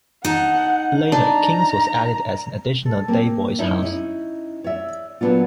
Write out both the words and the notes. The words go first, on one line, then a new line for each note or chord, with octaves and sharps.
Later, King's was added as an additional day-boys house.
D#4 F#5 A5
D4 A#5
A4
A#3 C4
F#2 D#4 E4 D#5 E5
C#4 D#4 E4
C#5 D5 E5
A#2 F#3 G3 B3 D4 F4